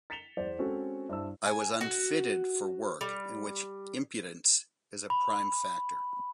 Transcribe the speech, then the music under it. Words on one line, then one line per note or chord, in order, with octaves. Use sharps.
I was unfitted for work in which impudence is a prime factor.
A6 B6 C#7 E7 F7 G7
E2 C5 D5
G#3 C4 C#4 F#4 A4
G2 E4 C5 A5 E6
G#5
F#4
G3
B5